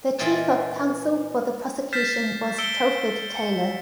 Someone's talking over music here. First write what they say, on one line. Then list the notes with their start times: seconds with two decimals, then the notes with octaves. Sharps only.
The Chief of Counsel for the Prosecution was Telford Taylor.
0.18 A#2 E3 F4 D#5 G5 A5
1.93 F6 G6 A6 B6 C7 E7
2.58 E6 C#7 D7 G7
3.37 C#7